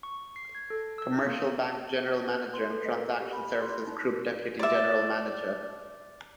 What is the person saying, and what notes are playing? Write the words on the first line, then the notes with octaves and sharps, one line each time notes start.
Commercial Bank General manager and Transaction Services Group Deputy General Manager.
C#6
C7
G#6
A4
E6
A#3
B4
C6
A4
D#5
A#4
G4
B5
C6
D#4
A#4
D5 E5